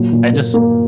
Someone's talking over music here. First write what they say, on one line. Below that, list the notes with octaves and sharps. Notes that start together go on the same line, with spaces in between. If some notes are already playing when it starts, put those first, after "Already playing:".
I just
Already playing: A#2 F#3
A#2
A#3
A#3